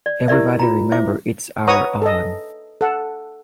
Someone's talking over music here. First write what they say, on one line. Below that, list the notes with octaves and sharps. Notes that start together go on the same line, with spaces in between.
Everybody remember it's our Alan.
D5
E4 G4 A#4 D5 E5
F4 A#5
E4 C5 E5 D6
B4 C#5 F#5 A#5 C#6 D#6
A4 D#5
A4 F#5